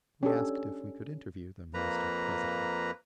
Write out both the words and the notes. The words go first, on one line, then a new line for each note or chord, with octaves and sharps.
We asked if we could interview the Minister-president.
C#4 D4 G4 A4
F2 A#3 B4 A#5